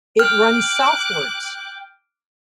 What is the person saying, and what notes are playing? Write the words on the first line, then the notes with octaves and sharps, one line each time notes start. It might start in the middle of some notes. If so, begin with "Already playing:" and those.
It runs southwards.
G5 D6 F6 F#6